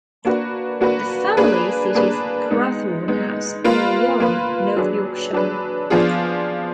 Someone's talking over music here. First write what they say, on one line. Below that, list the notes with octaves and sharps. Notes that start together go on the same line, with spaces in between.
The family seat is Crathorne House, near Yarm, North Yorkshire.
A#3 D4 F#4 B4
A#3 D4 F#4 B4
A#3 D4 G#4 B4
A#3 D4 G#4 B4
G#3 B3 D#4
G#3 B3 D#4
A#3 F4 B4
A#3 F4 B4
F#3 D4 G#4 B4
F#3 D4 G#4 B4
F3 B3 D4 F4 G#4